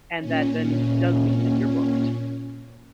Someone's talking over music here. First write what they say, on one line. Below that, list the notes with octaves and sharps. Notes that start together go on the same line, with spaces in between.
and that, then, does mean that you're booked.
A#2 C#4